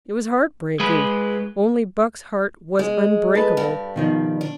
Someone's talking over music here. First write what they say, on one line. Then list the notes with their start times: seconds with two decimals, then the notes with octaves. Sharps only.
It was heartbreaking, only Buck's heart was unbreakable.
0.80 G#3 B4
2.79 G#3
3.35 A4 B4
3.57 G2 G3
3.96 B2 D#3 F3
4.41 D4